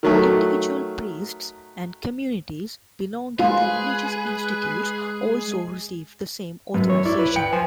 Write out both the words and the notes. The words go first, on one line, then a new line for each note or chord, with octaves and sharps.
Individual priests and communities belonging to religious institutes also received the same authorization.
D#3 F#3 A3
G#3 F4 G#4 B4
F#2 B3
C#5
E4 D5
B4
G5 C#7
F3 G#5